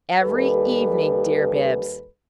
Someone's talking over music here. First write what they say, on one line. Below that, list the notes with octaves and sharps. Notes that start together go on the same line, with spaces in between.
"Every evening, dear Bibbs!"
D#2 G3 A4 B4